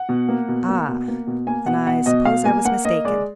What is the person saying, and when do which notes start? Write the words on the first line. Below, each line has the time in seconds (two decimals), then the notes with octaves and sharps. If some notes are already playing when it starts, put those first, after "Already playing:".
"Ah, then, I suppose I was mistaken."
Already playing: F#5
0.09 B2
0.29 A#3
0.48 B2
0.68 A#3
0.88 B2
1.08 A#3
1.27 B2
1.47 A#3 G#5
1.66 B2 F#5
1.86 B2 F#5
2.06 B2 D#5
2.25 B2 F5
2.45 A#3 G#5
2.65 A#3 F#5
2.85 A#3 D#5
3.04 G#3 D5